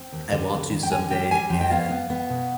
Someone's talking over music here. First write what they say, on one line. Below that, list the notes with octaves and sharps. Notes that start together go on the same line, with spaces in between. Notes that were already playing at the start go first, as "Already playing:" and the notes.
I want to someday, and
Already playing: C4
D#2
D3
D#2
D#2
G5
D3 G#5
G3 G5
G3 G#5
F2 G5
G5
B3 F5
B3
B3
B2